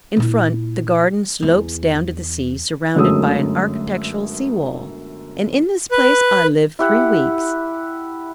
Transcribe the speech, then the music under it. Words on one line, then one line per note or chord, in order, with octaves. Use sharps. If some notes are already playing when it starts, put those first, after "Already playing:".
In front, the garden slopes down to the sea, surrounded by an architectural sea-wall; and in this place I lived three weeks.
A#2 E4
E2
G1 F#2 G#3 A3 D#6 E6
B4
E4 G4 F#5